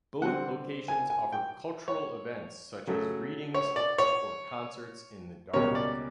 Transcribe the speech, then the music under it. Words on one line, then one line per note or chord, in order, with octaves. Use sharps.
Both locations offer cultural events such as readings or concerts in the dark.
D3 G3 C4 F#5
G#5
G#5
G5
C#5
C#3 F#3 A3
C#5
D5
C#5
C#2 B2 G3 A#3 C#4 C#5
D5